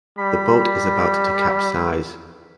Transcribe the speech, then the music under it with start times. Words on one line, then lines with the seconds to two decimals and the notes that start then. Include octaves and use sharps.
The boat is about to capsize.
0.19 G3 B5